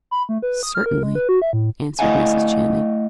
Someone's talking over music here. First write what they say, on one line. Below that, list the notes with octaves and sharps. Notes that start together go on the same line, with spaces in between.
"Certainly," answered Mrs. Channing.
B5
A3
B4
D#6
F6
A#4
G#3
B4
F#4
E5
A2
A3 E4 D#5 F5 F#5 G#5